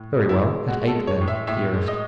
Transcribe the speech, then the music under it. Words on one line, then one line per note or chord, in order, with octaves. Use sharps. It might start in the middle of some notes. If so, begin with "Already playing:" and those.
"Very well, at eight then, dearest."
Already playing: A2
G#3
E4
G#3
G#3 F#4
A4
G#3
C#5
A2
E5
A2 E5
G#3
D#5